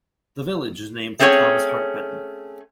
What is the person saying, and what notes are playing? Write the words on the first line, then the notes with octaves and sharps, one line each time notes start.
The village is named for Thomas Hart Benton.
A3 C4 C#4 G#4 C#5 F#5